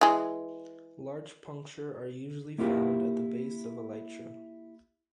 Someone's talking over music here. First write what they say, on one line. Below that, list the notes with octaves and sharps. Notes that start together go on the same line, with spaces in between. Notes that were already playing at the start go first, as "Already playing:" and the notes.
Large puncture are usually found at the base of elytra.
E3 G#3
A#3 E4 F4 G4 E5 F5